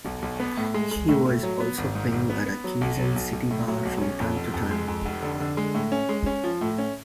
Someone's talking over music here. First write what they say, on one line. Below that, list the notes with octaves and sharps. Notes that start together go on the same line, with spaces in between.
He was also playing at a Quezon City bar from time to time.
B1
B1
B3
A2
G#3
G#3
A2
A2
F#3
B3
G#1
G#2
G#1
B3
B3
F#3
B1
F#3
B1
B1
A2
F#3
B1
C#4
F2
F1
F2
G#3
F2
F1
D3
D3
G#3
A2
C#4
G#3
C#4
F3
A2
C#4